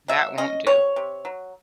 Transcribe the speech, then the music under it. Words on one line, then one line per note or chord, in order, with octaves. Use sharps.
That won't do.
F#3 E5
C#4 D#5
C3 C#5
C3
F#3